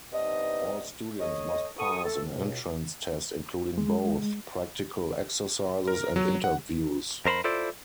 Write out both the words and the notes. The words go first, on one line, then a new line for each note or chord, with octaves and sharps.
All students must pass an entrance test including both practical exercises and interviews.
G2 C3 B3 D4 D#4 D#5
A4 C#5 D#5
F#4 A4 C#6 D#6
A3 A4
C#2 B2
G#3
A#4
F#3
F#5
F2 A#4 C5 A#5 B5
E4 F4 A4 C5 D5